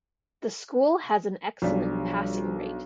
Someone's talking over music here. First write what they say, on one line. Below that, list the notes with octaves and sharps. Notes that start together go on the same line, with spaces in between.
The school has an excellent passing rate.
B1 F3 G3 D4 B6